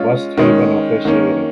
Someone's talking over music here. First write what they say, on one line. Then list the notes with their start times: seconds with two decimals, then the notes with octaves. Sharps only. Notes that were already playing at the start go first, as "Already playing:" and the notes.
Westhaven officiating.
Already playing: G#3 C#4 F4
0.38 D#3 G#3 C#4
1.05 D#3 A#3 C#4